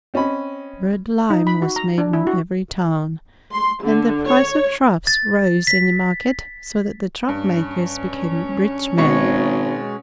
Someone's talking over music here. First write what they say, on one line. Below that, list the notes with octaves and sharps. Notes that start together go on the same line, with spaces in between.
Bird lime was made in every town, and the price of traps rose in the market so that the trap-makers became rich men.
C4 C#4 D#5 B5
D#4
B5
F#4
A#5
D4
E4
F#4
C6
D3
C#5
A6
B6
G2 C#4
G#1 B2 G#3 C#5 C#6